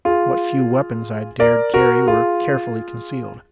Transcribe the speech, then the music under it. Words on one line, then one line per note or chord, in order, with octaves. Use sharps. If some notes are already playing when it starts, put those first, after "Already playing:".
What few weapons I dared carry were carefully concealed.
F4 G#4
A#4 D5
F#4 A#4
F4 G#4